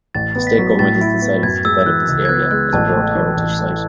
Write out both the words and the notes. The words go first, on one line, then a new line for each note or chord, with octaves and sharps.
The state government has decided to develop this area as a World Heritage site.
A1 A6
B3
B6
F#3
A2 A6
E4
B3
F#2 G#6
G#3 E6
E3 F#6
C#2
G#6
B3 F#6
G#6
G#3 F#6
A1 A5
A3
E3
A1
A3